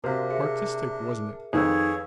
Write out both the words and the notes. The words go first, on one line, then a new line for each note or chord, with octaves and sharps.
Artistic, wasn't it?
C3 D4 F#4 A#4 C5 F5
G#4 E5 C#7
F2 D#3 G#4 B4 C#5 F5 E6